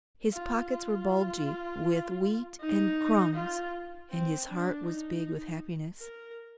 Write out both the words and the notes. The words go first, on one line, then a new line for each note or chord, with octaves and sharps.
His pockets were bulgy with wheat and crumbs, and his heart was big with happiness.
F4
F4
D#4
F4
C4
D4
D#4
A#4